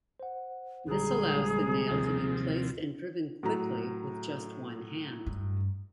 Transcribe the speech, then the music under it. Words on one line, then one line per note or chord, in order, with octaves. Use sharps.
This allows the nail to be placed and driven quickly with just one hand.
C5 F#5
A#1 D3 G3 G#3 G#4 A#5
D#2 C3 F3
A2 F#3 A#5
G2